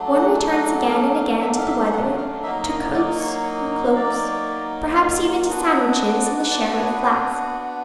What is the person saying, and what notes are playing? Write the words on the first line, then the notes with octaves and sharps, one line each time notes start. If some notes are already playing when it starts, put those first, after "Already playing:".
One returns again and again to the weather, to coats and cloaks, perhaps even to sandwiches and the sherry flask.
Already playing: F#3 A3 D4
F#5
F#5
F5
F5
E5
F5
E5
G5
F#5
F5
F#3 A#3 D#4 E5
D#5
D5
C#5
D5
B3 D4 F#4
D5
D5
C#5
B4
C5